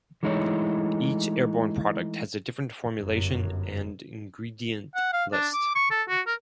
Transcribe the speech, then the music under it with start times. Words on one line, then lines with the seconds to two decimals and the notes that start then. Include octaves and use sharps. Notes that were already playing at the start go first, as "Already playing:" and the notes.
Each Airborne product has a different formulation and ingredient list.
0.23 E3 G#3 A3 D#4 E4 C#5
2.99 G1 F#2
4.96 F#5
5.13 F5
5.33 D4
5.54 D6
5.75 C#6
5.91 A4
6.09 F#4
6.27 A#4